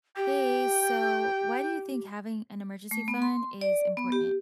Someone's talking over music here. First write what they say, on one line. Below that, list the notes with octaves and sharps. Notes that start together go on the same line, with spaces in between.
Hey. So, why do you think having an emergency fund is important?
G4 G5
A3
B3
C6
D5
B3
G4